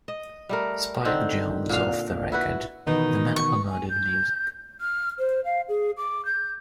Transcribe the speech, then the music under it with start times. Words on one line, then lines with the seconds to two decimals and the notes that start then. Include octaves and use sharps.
Spike Jones Off the Record: The Man Who Murdered Music.
0.08 D#5
0.49 G3 A3 A#4
1.05 D3 D#3 C4
1.69 A#2 D3 F5
2.32 E4 F#4 B4
2.87 B2 D#3 E3 B3 D#4 B4 D#5
3.36 C#6
3.70 G#5
3.90 G6
4.81 F6
5.19 C5
5.45 F5
5.69 G#4
5.97 D6
6.25 G6